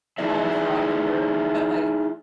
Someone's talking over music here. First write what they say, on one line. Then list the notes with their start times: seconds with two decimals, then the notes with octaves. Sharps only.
call the fraud number, but like,
0.18 D#4 E4 G#4 D5 E5